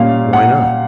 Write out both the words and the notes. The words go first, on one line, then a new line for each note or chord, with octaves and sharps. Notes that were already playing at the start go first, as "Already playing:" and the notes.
"Why not?"
Already playing: A#2 G3 A#3 C#4 F5
F#5